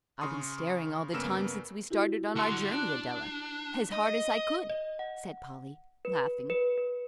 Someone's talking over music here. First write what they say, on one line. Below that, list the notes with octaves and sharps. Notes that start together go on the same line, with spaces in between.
"I've been staring all the time since we started on our journey, Adela, as hard as I could," said Polly, laughing.
C#3 C6 C#6 D#6
G2 C#3 A#3 B3 E6 E7
E4 F#4 G4
D3 F#4 A5 C6 E6
D4 F#6
D#5
D#5
F#5
B4
B4
B4